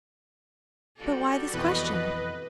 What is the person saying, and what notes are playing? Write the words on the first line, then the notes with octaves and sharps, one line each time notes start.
"But why this question?"
G3 F#4 A4
F2 B2 E3 B4 D#5